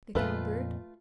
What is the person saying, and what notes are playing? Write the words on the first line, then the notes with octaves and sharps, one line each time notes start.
The Cow Bird.
F2 A#2 A3 F4 B4